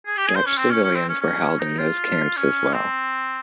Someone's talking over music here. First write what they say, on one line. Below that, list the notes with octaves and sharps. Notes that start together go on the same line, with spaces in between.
Dutch civilians were held in those camps as well.
G#4
G4
G#4
C5
C#4
C4
C#4
C#4
C4
C#4
C#4
D#4
F4
C#4
C4